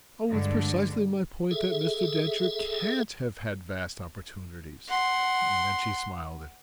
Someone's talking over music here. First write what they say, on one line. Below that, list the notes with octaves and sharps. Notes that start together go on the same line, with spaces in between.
"Oh it's precisely my point that Mr. Densher CAN'T have had vast opportunities." And then she smiled at him.
G2 D3 G#3
G#4 A4 E5
F#5 C6